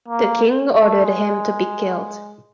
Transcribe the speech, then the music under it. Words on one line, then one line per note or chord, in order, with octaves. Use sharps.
The king ordered him to be killed.
A#3
A3
G#3